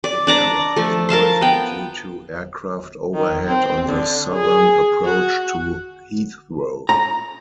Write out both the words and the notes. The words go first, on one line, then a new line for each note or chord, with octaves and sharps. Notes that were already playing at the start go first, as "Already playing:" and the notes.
The area is noisy due to aircraft overhead on the southern approach to Heathrow.
D5
D4 D5 A#5
F3 A3
A#4 F5 A5 C6
B3 G5
D#3
C4
D3
G#4
F#4
A#5